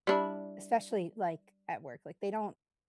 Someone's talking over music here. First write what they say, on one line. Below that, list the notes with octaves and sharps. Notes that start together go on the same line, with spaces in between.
especially, like, at work, like, they don't
G3 D4 E4